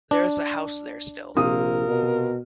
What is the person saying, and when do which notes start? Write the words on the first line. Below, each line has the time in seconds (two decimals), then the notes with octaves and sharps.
There is a house there still.
0.11 D4
1.36 A#1 C3 F4 A#4 D#6
1.87 B2